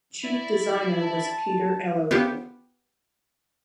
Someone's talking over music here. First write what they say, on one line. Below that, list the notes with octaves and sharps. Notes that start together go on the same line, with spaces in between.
Chief designer was Peter Elleray.
E4 D5 E5
A5
B3 F4 G4